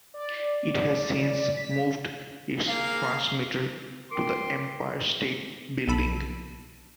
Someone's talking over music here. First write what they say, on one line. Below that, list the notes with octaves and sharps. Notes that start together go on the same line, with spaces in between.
It has since moved its transmitter to the Empire State Building.
D5
B6
A#3 G#4 F5
A#4 G5 C6 D6
B1 A4 B5